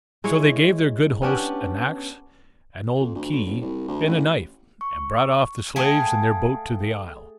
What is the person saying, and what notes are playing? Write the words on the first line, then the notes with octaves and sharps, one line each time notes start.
So they gave their good hosts an axe, an old key, and a knife, and brought off the slaves in their boat to the isle.
G#3 E4 C#5
B3 C#4 D4 G4
F2
D2
B1
F#1
C2
D2
A1
C#6
A3 G#4 F5 G5 D7